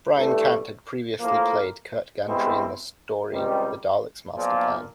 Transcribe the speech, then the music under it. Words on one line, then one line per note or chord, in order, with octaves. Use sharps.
Brian Cant had previously played Kert Gantry in the story "The Daleks' Master Plan".
G2 E3 A3
A2 F3 A#3
C2 B2 G#3 C4 E4
C#2 C3 D#3 G3
B1 A#2 F3 A#3